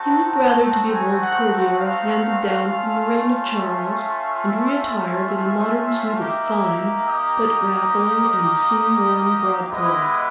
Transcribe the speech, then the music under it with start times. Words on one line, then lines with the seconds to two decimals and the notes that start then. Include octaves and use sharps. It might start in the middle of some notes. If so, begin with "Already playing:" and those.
He looked rather to be an old courtier handed down from the reign of Charles, and re-attired in a modern suit of fine, but raveling and seam-worn, broadcloth.
Already playing: A3 C4 D#4 F#4 A5
0.91 G#5
1.21 F#5
1.50 F#5
1.79 F5
2.67 A3 C#4 F4
3.54 E5
6.18 A#3 D#4 G4
7.07 D#5
9.70 G#3 B3 E4 G4 D#5